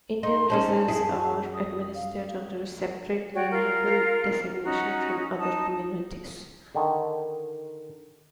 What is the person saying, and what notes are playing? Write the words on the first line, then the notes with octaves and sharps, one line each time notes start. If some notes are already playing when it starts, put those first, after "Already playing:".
Indian Reserves are administered under a separate legal designation from other communities.
D#4 C6
C#4 D#4 C5 A5
F#2 E4 G#4
D#6
F5
F#4 C#5 D5 G5
F4 A#4 F6
C#4 D#4 F#4 A#5
D#4 A5 D#6
D3 D#3